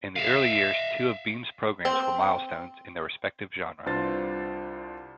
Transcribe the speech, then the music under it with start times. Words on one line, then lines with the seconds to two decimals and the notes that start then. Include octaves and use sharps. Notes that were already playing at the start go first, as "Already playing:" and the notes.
In the early years, two of Beam's programs were milestones in their respective genre.
0.16 E5 F5
1.85 C4
3.86 C2 D4 F4 B4 C5 A6